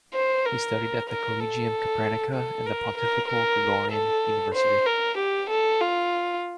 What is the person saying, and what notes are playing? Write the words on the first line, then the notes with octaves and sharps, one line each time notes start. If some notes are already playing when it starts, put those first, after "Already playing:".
He studied at the Collegium Capranica and the Pontifical Gregorian University.
C5
A#4
A#4
A4
A4
A#4
A#4
A#4
A4
C5
A#4
G4
A4
F4